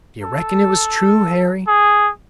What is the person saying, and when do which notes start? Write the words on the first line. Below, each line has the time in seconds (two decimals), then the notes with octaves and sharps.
Do you reckon it was true, Harry?
0.22 A4
1.68 G#4